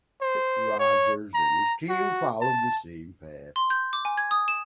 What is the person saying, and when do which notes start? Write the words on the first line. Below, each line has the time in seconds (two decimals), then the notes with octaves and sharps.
Rogers and his team followed the same path.
0.21 C5
0.79 C#5
1.34 A#5
1.89 F#4
2.41 A5
3.56 C6
3.70 G6
3.93 D6
4.05 G#5
4.17 G#6
4.31 D#6
4.48 E7